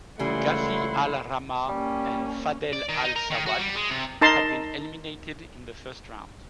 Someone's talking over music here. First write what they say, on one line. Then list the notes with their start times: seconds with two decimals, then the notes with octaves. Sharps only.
Ghazi Al Rahma and Fadhel Al Sawad had been eliminated in the first round.
0.19 C#2 C#3 E3 G3 A3 E4 F#5 C6
1.68 G3 A#3 C#4
2.73 D5
2.89 D#3
3.04 D#4
3.16 A#4
3.31 D#3
3.46 F#4
3.58 G3
3.75 G#3
3.90 C3
4.21 D#4 A#4 A5 A#5 C6